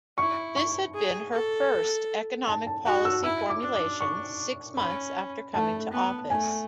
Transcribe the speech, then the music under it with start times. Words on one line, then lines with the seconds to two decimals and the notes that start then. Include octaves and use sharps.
This had been her first economic policy formulation, six months after coming to office.
0.18 E4 C#6
0.56 C#6
0.95 G#4
1.32 A4
2.47 A5
2.67 A5
2.85 F#4 F#5
3.05 E6
3.24 E4 E6
3.50 D6
3.62 D4
3.75 D6
4.01 C#6
4.77 C#4 B5
5.54 A3 A5
5.92 B3
6.30 A3 G#5